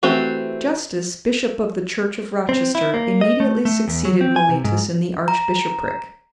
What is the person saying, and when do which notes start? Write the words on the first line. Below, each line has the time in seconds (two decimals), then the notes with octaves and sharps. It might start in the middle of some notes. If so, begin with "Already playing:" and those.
Justus, bishop of the church of Rochester, immediately succeeded Mellitus in the archbishopric.
0.03 E3 A3 C4 F#4 G4
2.49 C4
2.75 E4
2.94 A#3
3.21 D#5
3.40 A3
3.65 A3
3.88 E2
4.05 F#3
4.21 C4
4.36 G#5
4.49 C3
4.64 G#2
5.28 A#5